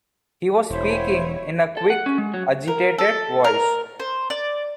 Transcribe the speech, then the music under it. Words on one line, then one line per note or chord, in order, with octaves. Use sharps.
He was speaking in a quick, agitated voice.
E1 E4 C5 C#5
A4
F#5
C#4
G#3
F#3
A#4
A4
A#4
C5
D5